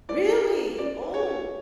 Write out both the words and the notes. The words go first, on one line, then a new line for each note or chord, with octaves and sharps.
Really? Oh.
E4 D5
E4
B4
C#4 D5
B4
C#5
E4